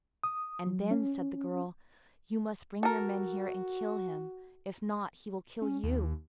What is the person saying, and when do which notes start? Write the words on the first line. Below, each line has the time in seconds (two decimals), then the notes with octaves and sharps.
"And then," said the girl, "you must bring your men here and kill him. If not, he will kill you."
0.24 D#6
0.66 F#3
0.91 C#4
2.83 F#4 A4 A#4
5.62 C#4
5.84 D#2